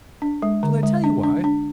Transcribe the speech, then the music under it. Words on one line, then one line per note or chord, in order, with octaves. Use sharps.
Shall I tell you why?
D4
G#3
D3
G#3
D4
D4
D4